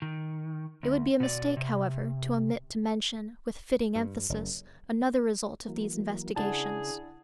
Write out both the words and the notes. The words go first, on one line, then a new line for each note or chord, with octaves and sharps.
It would be a mistake, however, to omit to mention, with fitting emphasis, another result of these investigations.
D#3
D2
B2 D5
C3
G2
F#1
E3 F#3 A#3
C#3 D4 E4 G#4 F#5 A5